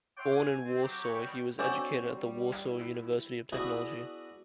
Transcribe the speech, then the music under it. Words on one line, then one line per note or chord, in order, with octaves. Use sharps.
Born in Warsaw, he was educated at the Warsaw University of Technology.
C#5 E5 F#5 G5 C6 D6
G#5
C4
F#3 G4
C#5 G#5 B5 C#6
B2 G3 G5
C4 D4 F#4 A4 C#5 D5 D6
G3
E4
B3 D4 E4 F#4 G#4